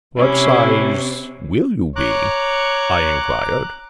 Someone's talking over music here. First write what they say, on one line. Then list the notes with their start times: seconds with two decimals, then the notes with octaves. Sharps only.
"What size will you be?" I enquired.
0.17 C3 C#4 E4
1.96 C#5 A#5 D6 F#6